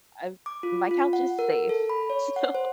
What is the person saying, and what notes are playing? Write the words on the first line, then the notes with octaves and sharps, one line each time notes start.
I've my couch is safe, so
D6
F4
F4
F#5
A#4
A4
B5
C#5
F#5
C5